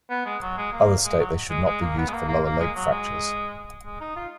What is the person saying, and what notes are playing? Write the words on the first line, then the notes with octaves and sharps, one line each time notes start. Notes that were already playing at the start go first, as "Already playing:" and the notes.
Others state they should not be used for lower leg fractures.
B3
G#3
F#3
G#3
A#3
G#3
F#3
G#3
G#3
A#3
B3
G#3
A#3
A#3
A#3
G#3
F#3
G#3
G#3
D#4
F4